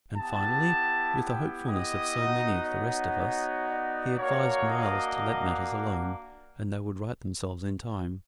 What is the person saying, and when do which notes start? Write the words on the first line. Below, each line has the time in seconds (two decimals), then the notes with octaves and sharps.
And, finally, with the hopefulness of so many of the rest of us, he advised Myles to let matters alone, and they would right themselves in time.
0.15 B3 E4 G4 A5
1.16 G5
1.66 D#5
2.17 B3 D#4 F#4
2.66 C#5
3.67 D5
4.16 A#3 D4 F#4 C#5
4.67 D#5